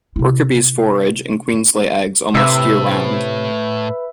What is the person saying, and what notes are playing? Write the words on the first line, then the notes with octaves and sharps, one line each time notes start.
Worker bees forage and queens lay eggs almost year-round.
C3 E4
A2 C3 B4 E5 E6